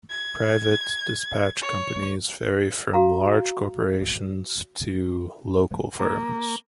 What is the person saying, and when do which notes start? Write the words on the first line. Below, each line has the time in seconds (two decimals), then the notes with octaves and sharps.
Private dispatch companies vary from large corporations to local firms.
0.10 G#6
1.61 C#5
2.94 F#4 F5 A#5
5.99 A#3